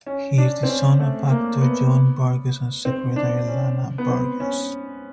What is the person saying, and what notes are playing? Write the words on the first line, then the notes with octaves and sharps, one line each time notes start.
He is the son of actor John Burgess and Secretary Lana Burgess.
C#4
D4
C4
C#4
A3
A#3
B3
C4
D4
C#4
B3
C4
C#4